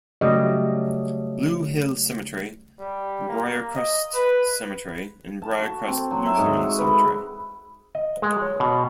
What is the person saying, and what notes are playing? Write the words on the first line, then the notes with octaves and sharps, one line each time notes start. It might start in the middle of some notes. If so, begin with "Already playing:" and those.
Blue Hill Cemetery, Briercrest Cemetery and Briercrest Lutheran Cemetery.
C#3 F#3 G3 A3 D#5
G3
A#3
D#5
B4
A5
F#4
C4
F#3
E5
G#2
F#4
B4
D#5
G#3
C#5
B2